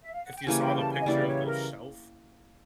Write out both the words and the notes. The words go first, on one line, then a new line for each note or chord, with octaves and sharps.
if you saw the picture of the shelf
E5
F5
F#5
G5
C#3 E3 G3 A#3 G#5
G5
A5
G#5
D#5
C#3 E3 G3 A#3 D5
C#5
A#4